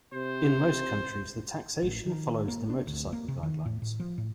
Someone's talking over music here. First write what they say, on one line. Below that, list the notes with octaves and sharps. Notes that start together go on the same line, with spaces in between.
In most countries the taxation follows the motorcycle guidelines.
C3 C5
A1
D#3
A#3
D4
D2
A#3
C3
D#3
A2
A2
F3
A2